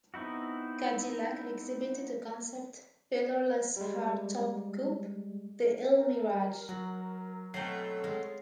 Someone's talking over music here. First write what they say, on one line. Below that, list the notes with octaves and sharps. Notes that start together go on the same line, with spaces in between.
Cadillac exhibited a concept pillarless hardtop coupe, the Elmiraj.
B3 C4 D#4 E4 F#4
G3 G#3
A#4
F#3 F#4
B2 F#3 A3 C4 G5 C7
G#3 F4